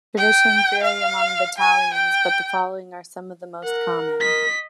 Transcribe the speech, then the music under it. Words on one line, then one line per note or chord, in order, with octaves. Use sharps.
Traditions vary among battalions, but the following are some of the most common.
G5
F5
G#5
G5
A#4 F#5
D#5 B6